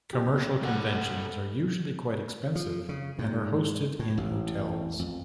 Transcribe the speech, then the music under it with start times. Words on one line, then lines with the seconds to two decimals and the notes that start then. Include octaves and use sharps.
Commercial conventions are usually quite expensive and are hosted in hotels.
0.13 B1 G4
0.61 G3 A4 F#5
2.55 F3
2.89 C#3
3.19 G#2
3.99 A2
4.18 A1
5.00 F2